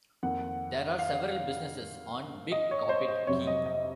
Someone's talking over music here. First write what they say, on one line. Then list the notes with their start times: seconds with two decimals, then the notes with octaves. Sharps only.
There are several businesses on Big Coppitt Key.
0.23 F2 D#3 A#3 F#5
0.99 F5
2.52 D#5
2.71 C#5
2.89 C5
3.08 D#5
3.27 F2 C3 F#3 C#5
3.47 D#5
3.66 D#5